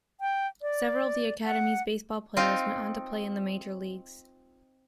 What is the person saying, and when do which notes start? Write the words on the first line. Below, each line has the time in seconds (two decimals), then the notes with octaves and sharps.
Several of the academy's baseball players went on to play in the major leagues.
0.21 G5
0.62 D5
1.45 F#5
2.37 C4 D#4 F4